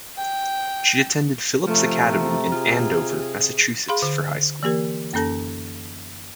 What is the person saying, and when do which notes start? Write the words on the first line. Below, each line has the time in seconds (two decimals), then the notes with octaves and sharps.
She attended Phillips Academy in Andover, Massachusetts for high school.
0.18 G5
1.67 C3 F3 A3 A#5
2.52 F4 G#4
3.88 G#4 F5 B5 C6
4.02 D3
4.63 E3 A#3 G4 A#4
5.13 F#2 A#3 C#4 A4 A5 A#6